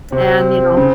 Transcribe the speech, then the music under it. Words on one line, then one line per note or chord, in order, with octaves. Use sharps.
And, you know,
C3 C4
C#3